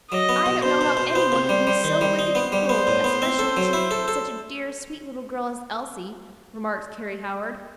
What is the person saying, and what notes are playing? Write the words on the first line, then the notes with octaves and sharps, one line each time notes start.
"I don't know how any one could be so wicked and cruel; especially to such a dear, sweet little girl as Elsie," remarked Carry Howard.
F#3 D#5
B3
B2
B2 C5
B2
B2
B3 C5
C3
G3
G3
D#3
G3
D#4
B3
G3
B3 C5
A2
B3
C4
A4
F#3
E4
A4
A4